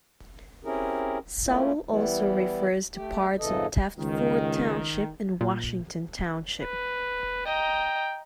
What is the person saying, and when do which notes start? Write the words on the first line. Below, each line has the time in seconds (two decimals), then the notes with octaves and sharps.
Sewell also refers to parts of Deptford Township and Washington Township.
0.64 C4 C#4 E4 G4 G#4 A#4
1.46 A3 A#3 C#4 E4 F4
1.89 E3 G3 B3 E4
2.95 A3 G4
3.39 F2 G#2 C#3 E3 A4 D#5
3.98 C#2 D#3
5.41 A#2
6.63 B4
7.46 D#5 G5 A#5